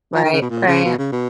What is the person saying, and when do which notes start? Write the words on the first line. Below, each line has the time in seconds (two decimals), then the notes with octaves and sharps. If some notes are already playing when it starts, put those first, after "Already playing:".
Right, right.
0.15 F3
0.24 D#3
0.33 C#3
0.41 B2
0.50 A#2
0.67 C#3
0.85 B2
0.98 C#3
1.12 B2